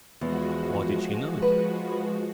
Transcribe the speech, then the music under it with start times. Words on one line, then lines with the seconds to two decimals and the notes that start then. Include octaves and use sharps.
Why did she know it?
0.21 E2 F3 G#3 F#4
1.42 B4